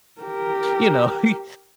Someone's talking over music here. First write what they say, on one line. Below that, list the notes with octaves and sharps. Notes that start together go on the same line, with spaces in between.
you know, he
G4 A#4